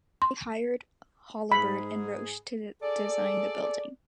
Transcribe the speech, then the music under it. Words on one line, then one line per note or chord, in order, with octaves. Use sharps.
They hired Holabird and Roche to design the building.
C6
G#2 G#4 B5
G#4 A4 D5